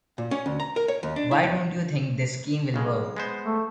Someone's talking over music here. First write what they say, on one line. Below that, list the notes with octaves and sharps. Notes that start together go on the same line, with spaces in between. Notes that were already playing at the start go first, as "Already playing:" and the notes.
Why don't you think this scheme will work?
A#2
C#4
D2
A#5
A#4
C#5
D#2
D4
E4
E2
B1 C#3 G#3
G#3 B3 C5
A3